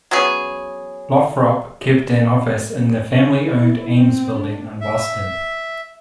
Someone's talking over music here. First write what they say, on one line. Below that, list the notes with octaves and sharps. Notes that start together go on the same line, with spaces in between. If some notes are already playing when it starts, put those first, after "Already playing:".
Lothrop kept an office in the family-owned Ames Building in Boston.
F#3 B3 C#4 G#4
C#4
E4
C4
D4
E5